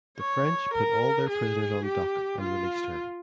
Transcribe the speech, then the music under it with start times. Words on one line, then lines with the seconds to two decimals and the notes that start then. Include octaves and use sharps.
The French put all their prisoners on "Duck" and released her.
0.18 C#5
0.73 A#4
1.29 G#4
1.85 G4
2.41 F4